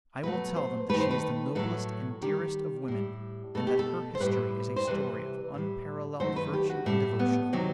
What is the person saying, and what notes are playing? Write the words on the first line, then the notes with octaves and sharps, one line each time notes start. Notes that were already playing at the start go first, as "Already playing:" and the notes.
I will tell them that she is the noblest and dearest of women, and that her history is a story of unparalleled virtue and devotion!'
B2 F#3 A3 B4
C5
D#3 A3 B4
C5
B4
A2 F#3 A3 A4
D#3 G3 G4
A2 G3
B2 A3 A4
G4
A4
C5
A2 G3 B4
C5
C3 E3 G3 B4
A2 G3
D#3 F#3 A3 C5
B4
G4
F#4
A2 G3 A3
B3
C3 D#3 F#3